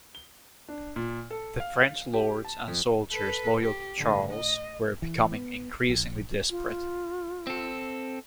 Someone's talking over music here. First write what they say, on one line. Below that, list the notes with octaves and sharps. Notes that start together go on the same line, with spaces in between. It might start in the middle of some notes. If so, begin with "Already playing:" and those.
The French lords and soldiers loyal to Charles were becoming increasingly desperate.
G7
D4
A#2
A4
F5
G4
A5
F2
A4 B4
G4
A2 D3
D#5
E3
B3
A#1
F4
C4 A4